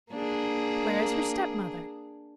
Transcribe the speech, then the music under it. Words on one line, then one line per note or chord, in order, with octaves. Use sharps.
Where is her stepmother?
A#3 D4 G#4